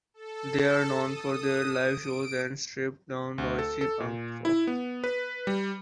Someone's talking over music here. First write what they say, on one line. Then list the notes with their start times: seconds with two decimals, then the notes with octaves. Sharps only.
They are known for their live shows and stripped-down noisy punk rock.
0.14 A4
0.98 D#6
1.84 D7
3.38 D2
3.59 A4
3.81 A4
4.00 A#2
4.45 E4
4.67 B3
5.04 B4
5.47 G3